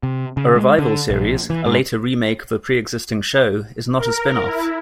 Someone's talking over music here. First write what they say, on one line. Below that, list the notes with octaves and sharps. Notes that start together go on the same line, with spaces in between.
A revival series, a later remake of a preexisting show, is not a spin-off.
C3
C#3
G#3
D3
A#1
E3
G#2
A#4
E4